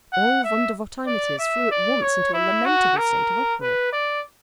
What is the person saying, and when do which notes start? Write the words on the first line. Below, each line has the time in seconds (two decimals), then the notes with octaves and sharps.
All Vondervotteimittiss flew at once into a lamentable state of uproar.
0.13 F#5
0.44 E5
1.07 D5
1.39 E5
1.71 D5
2.02 C#5
2.33 E4
2.66 F#4
2.97 A#4
3.61 B4
3.92 D5